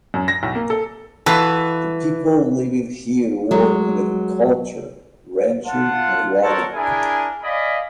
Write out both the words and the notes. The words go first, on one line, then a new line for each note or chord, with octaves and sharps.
The people living here worked in agriculture, ranching and logging.
F#2
A#6
B1
A#3
A4
E3 F4 F#4 A4 B4
F#3 G#3
F4 F#5 A5
A4 A#4 C5 C#5 F#5 A5
D4 E4 G#4 A#4 G#5
D5 D#5 F5 G#5 B5